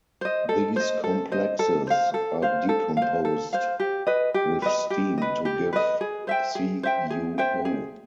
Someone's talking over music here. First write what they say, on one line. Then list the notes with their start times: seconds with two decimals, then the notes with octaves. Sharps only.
These complexes are decomposed with steam to give CuO.
0.21 C5 D#5
0.49 A4
0.76 C5 D#5
1.04 A4
1.32 C5 D#5
1.59 A4
1.87 C5 F5
2.14 A4
2.42 C5 F5
2.69 A4
2.97 C5 F5
3.25 A4
3.53 C5 F5
3.80 G4
4.07 B4 D#5
4.34 G4
4.62 B4 D#5
4.90 G4
5.18 B4 D#5
5.45 G4
5.73 B4 D#5
6.01 G#4
6.27 C5 E5 G5
6.55 G#4
6.83 C5 E5 G5
7.10 G#4
7.38 C5 E5 G5
7.65 G#4